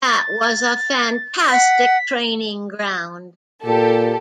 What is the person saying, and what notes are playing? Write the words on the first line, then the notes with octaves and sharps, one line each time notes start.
That was a fantastic training ground.
A6
F#5 B6
A#2 G4 A4